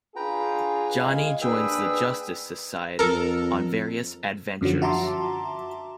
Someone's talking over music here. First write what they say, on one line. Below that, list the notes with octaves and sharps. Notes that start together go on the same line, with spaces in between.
Johnny joins the Justice Society on various adventures.
D4 F4 G#4 B4 G5 A#5
G#3 F5 G#5
D#2 D4 G#4 B4 G5 E6
F2 A4 A#4
F#2 D3 F3 F#3
F#4 E5 A5 A#5 C6 D6